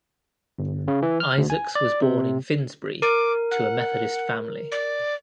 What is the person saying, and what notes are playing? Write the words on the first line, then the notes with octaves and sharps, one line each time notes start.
Isaacs was born in Finsbury to a Methodist family.
G1
C#3
E3
F6
D2
G#5
D5
C3
A#4 D6
F#5
D5